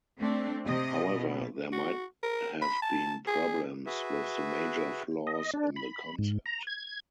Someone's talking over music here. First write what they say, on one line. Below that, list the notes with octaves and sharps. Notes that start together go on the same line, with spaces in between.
However, there might have been problems with the major flaws in the concept.
A3 C4 D4
C3 D#5
B2
F#4
A#4
B5
A5
G#4
F#4 G#4 B4 E5
D#5
D4
B5
G#2
A#5
G#6